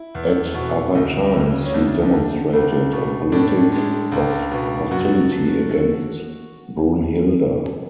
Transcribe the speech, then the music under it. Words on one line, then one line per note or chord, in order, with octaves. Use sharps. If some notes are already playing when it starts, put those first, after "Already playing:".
At other times, he demonstrated a politic of hostility against Brunhilda.
Already playing: E4
E2
B2
D2
C#3
C#4
D2 D4
D3
C#2
B2
A2 D4
G#3
C#2
B2
F#2 F#4
D3